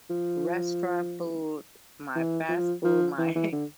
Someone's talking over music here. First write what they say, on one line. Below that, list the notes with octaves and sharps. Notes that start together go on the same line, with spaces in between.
restaurant food, my fast food, my,
F3
E3
F3
F3
E3
E3
D3